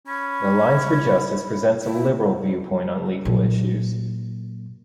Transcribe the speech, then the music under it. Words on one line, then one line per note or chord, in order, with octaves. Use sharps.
The Alliance for Justice presents a liberal viewpoint on legal issues.
C#4 B5
E4
A#2 F#3